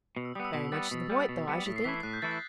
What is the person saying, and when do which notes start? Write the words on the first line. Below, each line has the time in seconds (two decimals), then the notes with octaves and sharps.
'Very much to the point though, I should think.
0.16 B2
0.25 E6
0.35 G3 B3 D#6
0.45 E6
0.53 B2 B6
0.72 G3 B3 A6
0.91 B2
1.10 G3 B3
1.29 B2
1.48 G3 B3
1.66 A2 B6
1.76 C7
1.84 E3 A3 E4 B6
1.94 C7
2.03 A2 F#6
2.13 G6
2.22 E3 A3 E4 A6
2.31 B6